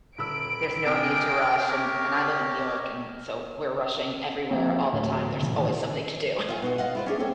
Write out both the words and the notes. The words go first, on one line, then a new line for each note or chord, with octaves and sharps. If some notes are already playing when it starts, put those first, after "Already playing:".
There's no need to rush, and and I live in New York, and so we're rushing everywhere all the time, there's always something to do,
D#1 B5 E6 D7
C3 G#4 A#4 G5
G4 A#4 C#5
F3 A#3 C4
D2 A2
G1 A#2 C#3 E3
A2 D#3
F4 F5 G#5
B2 D#4 F#4
F4 D#5 F5 F#5
E4 F4 C5
C#4 D4 G#4
C4 C#4 A4 C#5